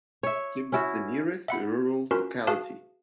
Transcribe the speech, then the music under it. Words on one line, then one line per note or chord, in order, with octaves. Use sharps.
Kim is the nearest rural locality.
C#5 E5
C#4 E4 F#4
E5 F#5 B5
C#4 F4 F#4 A#4 B4
F#4 G#4 B4 E5 F5 A5